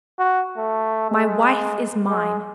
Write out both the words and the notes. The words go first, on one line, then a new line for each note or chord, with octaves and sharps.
My wife is mine.
F#4
A3
G#3
G#3